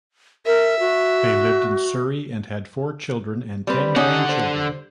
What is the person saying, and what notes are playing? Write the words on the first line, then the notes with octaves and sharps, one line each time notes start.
They lived in Surrey and had four children and ten grandchildren.
A#4 E5
F#4
G3 C4 B4
D3 C#4 D#4 G4 F#5
C5